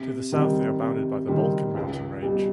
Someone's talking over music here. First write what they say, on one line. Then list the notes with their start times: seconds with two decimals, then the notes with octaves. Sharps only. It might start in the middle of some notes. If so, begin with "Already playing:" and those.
To the south they are bounded by the Balkan mountain range.
Already playing: C3
0.32 D#3 G3 C4
0.80 C3
1.28 D#3 G3 C4
1.75 C#2
2.23 B2 G3